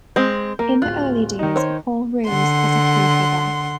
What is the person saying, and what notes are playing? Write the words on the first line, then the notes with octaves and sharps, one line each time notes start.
In the early days, Paul Roos was a key figure.
G#3 C4 G6
A#3 A#4
D1 F4 F#6
D#3 D#4
C5 C#5
D3 F#5 C6